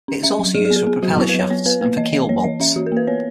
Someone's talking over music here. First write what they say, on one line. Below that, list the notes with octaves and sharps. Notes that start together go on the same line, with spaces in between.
It is also used for propeller shafts and for keel bolts.
C#4
C#4 E5
F#3
F#3 G#4
G#4
B3
G#4
B3 G#4
F#3 F#4
B3 E4
B4
F#3 C#5
B3 C#5
B3 B4
A#3 B4
E3 D#5
E3 D#5
A#3 C#5
E3 D#5
C#4 E5
E3 F#4
A#4
A#3 B4
B3 C#5